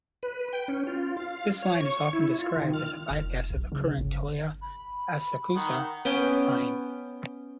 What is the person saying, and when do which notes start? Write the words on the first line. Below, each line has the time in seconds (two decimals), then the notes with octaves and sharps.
This line is often described as a bypass of the current Toei Asakusa Line.
0.23 B4
0.53 G5
0.68 C#4
0.87 F4
1.17 F5
1.62 C#5
1.81 C#6
2.13 E4
2.39 F4
2.56 D#3
2.73 F6
3.10 F1
3.50 B1
3.72 C#3
3.99 G1
4.61 B5
5.56 D#3 F#5
6.05 B3 C#4 G5